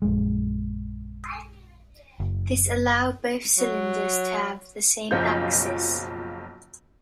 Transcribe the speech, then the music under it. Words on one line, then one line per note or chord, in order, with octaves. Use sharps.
This allowed both cylinders to have the same axis.
A#1 F#2 G#3
F#1
F#3
F#1 B1 F3 F4 G6